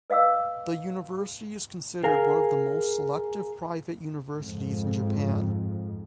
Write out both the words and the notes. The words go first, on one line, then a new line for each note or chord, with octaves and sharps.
The university is considered one of the most selective private universities in Japan.
B4 D#5 F5 D6 E6
G#4 A#4 F5 G#5
F2 G#2